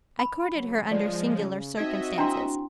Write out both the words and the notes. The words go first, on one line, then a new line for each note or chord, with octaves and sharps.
I courted her under singular circumstances.
B5
C#3 F#3
F3 G#3 D5
C#3 C#5
C4 D#4 F#4 D#5 E5 G#6
D4 E4 G5 A#5 C6